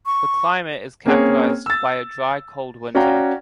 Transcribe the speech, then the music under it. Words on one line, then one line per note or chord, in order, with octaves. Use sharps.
The climate is characterised by a dry cold winter.
C#6
A#3 C4 C#4 G#4 C#5
E6 A6
C#4 F#4 D5 F5 G5 A#5